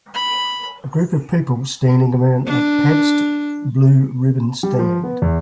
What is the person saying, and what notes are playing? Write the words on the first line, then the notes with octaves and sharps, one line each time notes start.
A group of people standing around a pabst blue ribbon stand.
B5
D4
G3
F3
B3
E2